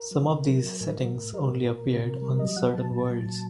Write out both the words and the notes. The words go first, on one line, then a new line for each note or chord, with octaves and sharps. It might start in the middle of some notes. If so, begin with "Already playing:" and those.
Some of these settings only appeared on certain worlds.
Already playing: A#4
F#3
C3
F#3
F#3
A2 A#4
F#3
A2
G3 A#4
A#2
A#2
C3
C3
G3
F#3 D#5
F#3 F#5
F#3 A5
A#2
F#3
A#2